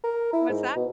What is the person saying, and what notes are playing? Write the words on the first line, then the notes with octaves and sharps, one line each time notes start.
What's that?
A#4
E4
G#2
B2